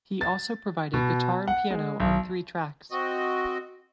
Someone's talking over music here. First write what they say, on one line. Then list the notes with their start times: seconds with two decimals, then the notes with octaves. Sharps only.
He also provided guitar and piano on three tracks.
0.21 A6
0.94 B2
1.48 F#5
1.70 G#3
2.00 B1
2.90 C4 F#4 D#5